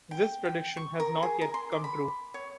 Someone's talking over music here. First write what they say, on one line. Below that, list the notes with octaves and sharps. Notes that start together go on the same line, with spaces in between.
This prediction has not yet come true.
G5
G5
C#6
A#4
G#4
A#4
C6
D6
B5
C#5